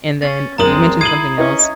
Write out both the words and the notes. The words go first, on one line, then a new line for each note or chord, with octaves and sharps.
And then you mentioned something else
C#4 A6
F#1 G#3 C4 A#4 A#5 D#6 F#7
E4 D#6 G#6 C7 D#7 F#7
C#4 E4 B4 D#5